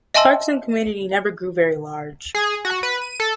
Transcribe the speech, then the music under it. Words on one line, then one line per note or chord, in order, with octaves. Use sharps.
Clarkson community never grew very large.
D#5 E5 G#5 A5 C6 E6
G#4
F#4
B4
D#7
A4